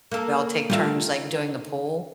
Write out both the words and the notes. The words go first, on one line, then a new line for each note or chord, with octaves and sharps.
we all take turns, like, doing the pool.
A#3 A4
D#3 G3 A3 F4 A4